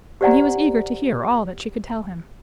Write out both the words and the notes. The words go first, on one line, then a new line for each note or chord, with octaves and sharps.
And he was eager to hear all that she could tell him.
G4 C5 D5 F#5 G#5 A#5